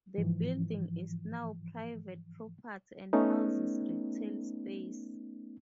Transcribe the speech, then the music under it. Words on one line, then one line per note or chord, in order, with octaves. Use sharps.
The building is now private property and houses retail space.
G#2 E3 F3
A3 B3 C#4 D#4